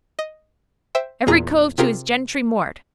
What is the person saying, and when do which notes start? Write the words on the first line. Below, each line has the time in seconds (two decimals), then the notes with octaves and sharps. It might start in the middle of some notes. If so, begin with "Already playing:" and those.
Every cove to his gentry mort.
0.19 D#5
0.95 C5 E5 G5
1.27 E2 A#2 F4 G#4 A#5
1.78 C3 F4 G4 G#4 A#4